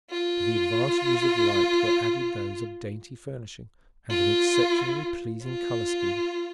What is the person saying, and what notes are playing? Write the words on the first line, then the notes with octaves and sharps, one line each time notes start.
To the advantages of light were added those of dainty furnishing and an exceptionally pleasing color scheme.
F4
F4
F4